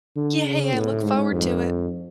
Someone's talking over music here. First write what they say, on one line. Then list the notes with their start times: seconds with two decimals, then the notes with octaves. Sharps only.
Yay. I look forward to it.
0.16 D3
0.45 C#3
0.75 A2
1.04 G#2
1.33 F2